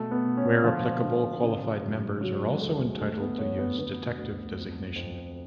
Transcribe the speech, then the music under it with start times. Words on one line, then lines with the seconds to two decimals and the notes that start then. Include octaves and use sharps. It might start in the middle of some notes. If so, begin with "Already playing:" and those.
Where applicable qualified members are also entitled to use Detective designation.
Already playing: B2 A3 A4
0.11 B3
0.25 B2
0.37 C#4
0.64 D3 F3 F4
1.04 D3
1.43 C#3
1.82 F#2
2.20 C#3 F#3 F#4
2.41 G#3 G#4
2.60 D2 A3 A4
2.80 A3 A4
3.00 D3 A3 A4
3.20 B3 B4
3.38 F2 C#4 C#5
3.59 B3 B4
3.78 D3 B3 B4
4.18 D2
4.57 F2
4.96 F2